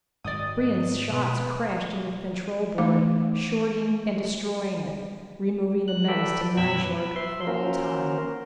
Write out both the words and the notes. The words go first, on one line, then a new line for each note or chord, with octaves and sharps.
Brion's shots crashed into the control board, shorting and destroying it, removing the menace to Nyjord for all time.
G#2 D#3 F#3 D5 D#5 D#6
B2 B3
E3 A3 D#4 F5 D6
F#6
A4 B4 D5 E5 G5 B5
F#2 B2 G5 B5 E6 G#6
B4
E5 C6
A#3 C#4 F#4 A#4 C5